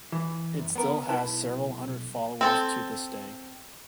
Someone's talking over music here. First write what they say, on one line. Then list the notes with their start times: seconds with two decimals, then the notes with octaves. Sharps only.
It still has several hundred followers to this day.
0.12 E3
0.59 F#2
0.76 B3 A#4
1.09 B1 E4 B4 A5
2.41 C4 A4